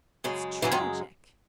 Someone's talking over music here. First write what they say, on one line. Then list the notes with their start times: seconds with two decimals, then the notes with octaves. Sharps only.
It's tragic.
0.24 F#2 C#3 G#3
0.62 F#2 C#3 E3 G#3 E4
0.72 D#3 D#4